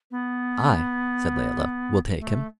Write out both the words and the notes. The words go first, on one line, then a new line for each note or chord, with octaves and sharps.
"I," said Layelah, "will take him."
B3
A3